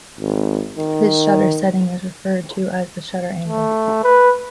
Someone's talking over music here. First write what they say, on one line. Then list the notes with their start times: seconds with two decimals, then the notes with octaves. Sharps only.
This shutter setting is referred to as the shutter angle.
0.19 G#1
0.78 D#3
3.48 A3
4.04 B4